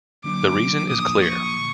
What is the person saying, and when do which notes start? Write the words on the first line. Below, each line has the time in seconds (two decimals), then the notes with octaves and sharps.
The reason is clear.
0.24 D3 F#3 A#3 D4 D6
0.90 A#2 F3 A#3 D#6
1.23 C#6
1.58 D3